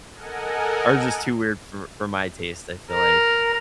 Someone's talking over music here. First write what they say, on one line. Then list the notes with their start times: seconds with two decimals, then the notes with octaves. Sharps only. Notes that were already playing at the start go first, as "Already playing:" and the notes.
are just too weird for for my taste, I feel like
0.12 A4 A#4 D#5 F#5 G#5
2.92 A#4